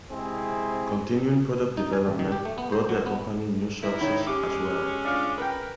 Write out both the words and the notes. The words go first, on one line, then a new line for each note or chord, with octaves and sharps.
Continuing product development brought the company new successes as w ell.
C3 G#3 C4 E4 G#4
D#4
G#5
A1
D#3
G4
A3
B3
C5
F#3
B3
D#4 E4 A#4
D#3 C#5 B5
G#3 C#4 G4 D6
D4 F4 D6 F6
A#4 B4 G5